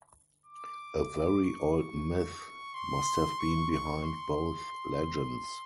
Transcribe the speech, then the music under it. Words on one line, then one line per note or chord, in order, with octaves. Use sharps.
A very old myth must have been behind both legends.
D6
C#6
C6
C#6
C#6
C6